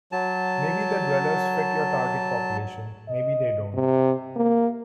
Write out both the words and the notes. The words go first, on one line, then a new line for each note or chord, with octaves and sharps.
Maybe the dwellers fit your target population, maybe they don't.
F#3 A5
D#5
C3
A#3